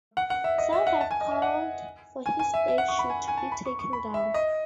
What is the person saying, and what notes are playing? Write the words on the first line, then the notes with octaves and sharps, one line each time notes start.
Some have called for his statue to be taken down.
F#5
F#5
E5
D#5
E5
F#5
A5
G#5
D#5
E5
F#5
G#5
G#5
E5
E5
F#5
C#6
B5
G#5
G#5
A5
B5
C#6
C#6
B5
E5
D#5